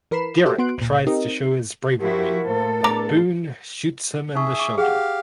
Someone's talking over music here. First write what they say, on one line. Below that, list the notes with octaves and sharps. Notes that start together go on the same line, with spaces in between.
Derrick tries to show his bravery but Boon shoots him in the shoulder.
E3 A#4 B4 B5 C7 E7
F#4 G4 A4 C5 D5 E5
B3 F#4 C6 F#6 D7
D2 A#2
C4 D#4 G4 A#4 D#5
F3 E4 F#4 G4 A#4
A2 A#3 A4 C5
B3 D4 G#4 A#5 D6
D#4 G#4 E5 C#6
C#6 D6
G4 G#4 F5 F#5